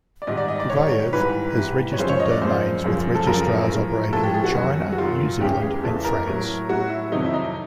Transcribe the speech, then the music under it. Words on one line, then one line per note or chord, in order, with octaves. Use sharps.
Kuvayev has registered domains with registrars operating in China, New Zealand, and France.
D5
G#2 D#3 G3 D#5
D5
D#5
D5
G#2 D#3 G3 C#5
C#5
G#2 E3 G3 B4
G#2 E3 G3
C#5
F#2 C#3 F3 G#3 C5
C#5
D#5
D5
F#2 C#3 F3 G#3 C5
F#2 C#3 F3 G#3
A4
F#2 C#3 F3 G#3 A#4
A2 F3 G#3
A2 F3 G#3 A4
G4
G#4
F#4
F#2 D#3 F#3
F#4
F#2 D#3 F#3 F4
E2 C#3 E3 G#3 G4
G#4
E2 C#3 E3 G#3 A4
A#4
A2 F#3
A2 F#3 F#4
E4
F2 C3 D#3 F#3 D#4
E4
D#4